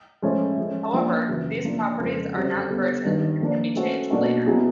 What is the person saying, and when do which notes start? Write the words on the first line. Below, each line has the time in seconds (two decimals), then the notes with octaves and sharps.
However, these properties are not versioned and can be changed later.
0.22 A2 F3 G#3 C#4
0.58 F3 G#3 C#4
0.93 F3 A#3 D4 F4
1.29 F#2 C#3 E3
1.64 F3 A#3 D4 F4
1.99 F2 C#3 F3 G#3
2.34 F#2 D3 G3 C4
2.70 D3 G3 B3
3.05 G2 D#3 G3
3.41 F3 A#3 D4
3.76 A3 C#4 F#4 A4 C5
4.10 B2 F#3 A#3 D4 F#4
4.46 B2 F#3 B3 E4 G#4